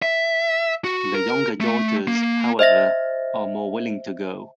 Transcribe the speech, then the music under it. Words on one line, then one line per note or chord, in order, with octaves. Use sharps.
The younger daughters, however, are more willing to go.
E5
F#4
A#4
A3
A#3
C5 D#5 E5 A#6